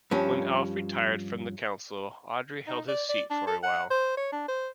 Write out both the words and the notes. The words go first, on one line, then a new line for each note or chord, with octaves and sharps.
When Alf retired from the council, Audrey held his seat for a while.
G2 F3 C#4
D#4
D5
D5
D4
A4
F#5
C5
C#5
D4
C5